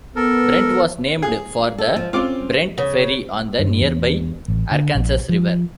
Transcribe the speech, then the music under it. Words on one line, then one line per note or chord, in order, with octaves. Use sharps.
Brent was named for the Brent Ferry on the nearby Arkansas River.
B3 A4 A#4
G#4
A4
F3
C4 C#4 F4 D6
C#3
G2
E2
A1
D3
A#1
F3